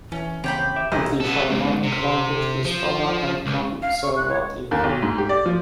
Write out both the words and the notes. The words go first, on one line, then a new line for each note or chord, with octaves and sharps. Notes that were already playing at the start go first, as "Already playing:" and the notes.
The harmonic language is tonal and conservative.
E3 C#4
D#2 C#3 C4 G4 G5 B5
E5 D6
B1 G4 A#4 C5 D#5
B3 A4
B1 G#2
C3
F3
C#2
F5
C#6
F#6
C#5
D#2
B1
G#2
G4
D5
F3